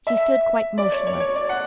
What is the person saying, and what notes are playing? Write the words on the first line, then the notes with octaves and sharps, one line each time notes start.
She stood quite motionless.
E5
D5
C#5
C#5
C#5
D5
F#5